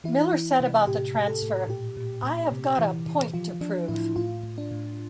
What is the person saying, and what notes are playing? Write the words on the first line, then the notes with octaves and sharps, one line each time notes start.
Miller said about the transfer: I have got a point to prove.
E3 E4
E3
C3
A2 G4
A2
A4
A2
A#2 G4
A#2
A#2
C3
E3
E3
F3 F4
F3 D4
A2 E4
A2 F4
A2
D4
A2